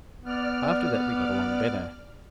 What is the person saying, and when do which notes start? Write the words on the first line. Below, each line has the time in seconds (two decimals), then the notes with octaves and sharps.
After that we got along better.
0.24 B3 D5 F6